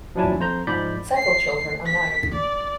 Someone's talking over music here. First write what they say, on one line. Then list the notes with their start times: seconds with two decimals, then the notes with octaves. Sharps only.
Several children are known.
0.15 F3 F#3 D4 E4 G#5 A5
0.40 F2 C5 A#5 G6
0.67 G#2 F3 D5 B5 G6
1.17 C7
1.86 B6
2.33 D5